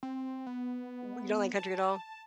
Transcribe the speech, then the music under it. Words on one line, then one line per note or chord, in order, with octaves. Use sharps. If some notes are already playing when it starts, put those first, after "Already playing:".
W you don't like country at all?
C4
B3
A5